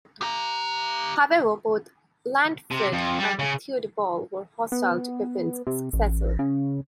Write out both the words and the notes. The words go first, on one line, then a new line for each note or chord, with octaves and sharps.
However, both Lantfrid and Theudebald were hostile to Pepin's successor.
G4 A#5
C3
F2
G3
C#3
B3
C3
A1
C#3